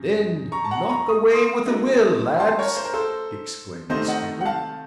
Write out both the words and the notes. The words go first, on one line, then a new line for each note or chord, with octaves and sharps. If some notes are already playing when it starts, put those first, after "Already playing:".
"Then knock away with a will, lads!" exclaimed the skipper.
Already playing: F#2 C#3
A#5 C#6
A5
F#5 A#5
A#5 C#6
D#6
C6 D#6
C#3 F#3 A3 D#4
A5 C6
A#4 C#5
C5
A#4
A4 C5
C3 D#3 A3 D#4 C5 D#5
D#5 F#5
F#5
F5 A5